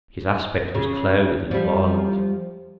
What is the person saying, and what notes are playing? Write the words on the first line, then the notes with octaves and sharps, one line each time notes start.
His aspect was clouded and violent.
C#3
F3 G3